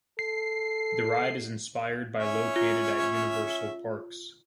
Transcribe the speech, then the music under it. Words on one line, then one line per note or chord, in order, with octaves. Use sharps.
The ride is inspired by located at Universal Parks.
A4 C7
C#4 C#5 E5
F4